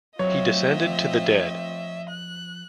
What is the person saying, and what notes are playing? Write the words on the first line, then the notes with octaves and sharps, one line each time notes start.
He descended to the dead.
F#3 A3 C4 F4 C#5 D#5 E5
F3
F#6